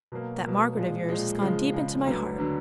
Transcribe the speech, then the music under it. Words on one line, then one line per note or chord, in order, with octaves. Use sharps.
'That Margaret of yours has gone deep into my heart.
B2 F#3 A#3
B2 F#3 A#3
A#2 F3 G#3
A#2 F3 G#3
C#3 F3 G#3
C#3 F3 G#3
D2 D3 F#3 B3 D4
D3 F#3 B3 D4